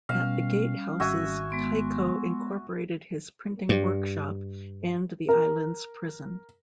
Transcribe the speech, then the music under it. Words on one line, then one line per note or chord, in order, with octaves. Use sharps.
At the gatehouses, Tycho incorporated his printing workshop and the island's prison.
B2 G3 C#4 F5
G#1 F#4 E5 G#5
G#3 B3 C6
G2
A#4